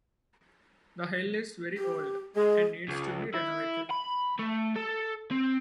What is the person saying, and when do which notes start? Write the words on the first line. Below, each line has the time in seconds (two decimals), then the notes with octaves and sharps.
The hill is very old and needs to be renovated.
1.78 G4
2.36 G#3 G#4
2.88 C#2
3.34 E4
3.90 B5
4.39 A3
4.76 A4
5.31 C4